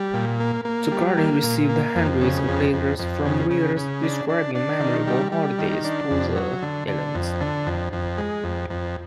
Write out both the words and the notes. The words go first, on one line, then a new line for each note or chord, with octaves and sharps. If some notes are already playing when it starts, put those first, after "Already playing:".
"The Guardian" received hundreds of letters from readers describing memorable holidays to the islands.
Already playing: G3
A#2
A#3
A#3
G3
A#3
A#2
A#3
F2
C#3
F2
F2
F2
C#3
C#3
C#3
D4
D4
D4
D#3
G3
G3
D#3
D4
F2
F#3
D3
D3
F2
D3
F2
F2
G#3
F2
F2